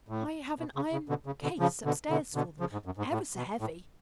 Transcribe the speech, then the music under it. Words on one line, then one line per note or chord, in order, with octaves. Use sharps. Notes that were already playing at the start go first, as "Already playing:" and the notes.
"I have an iron case up-stairs for them;--ever so heavy."
A2
B2
C#3
C#3
B2 D3
C#3
B2 D3
C#3 F3
B2 D3
B2 D3
B2 D3
C#3 F3
G#2
F#2
G#2
A2
B2
A2